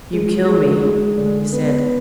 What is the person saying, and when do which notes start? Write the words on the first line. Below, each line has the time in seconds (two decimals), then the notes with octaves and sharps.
"You kill me!" he said.
0.13 G#3
0.48 G#3
0.83 G#3
1.18 D3
1.52 B3